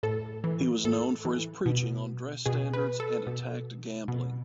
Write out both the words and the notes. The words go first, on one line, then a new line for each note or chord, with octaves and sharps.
He was known for his preaching on dress standards and attacked gambling.
A2 A4
E3
A2 A4
E3
B2
B2 G#4
B4
A4
B2
B2